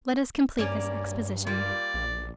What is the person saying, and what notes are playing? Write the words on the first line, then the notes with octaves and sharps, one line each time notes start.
Let us complete this exposition.
G2 A#3 C#4 D5
G3 A#3 F4 D5
A#1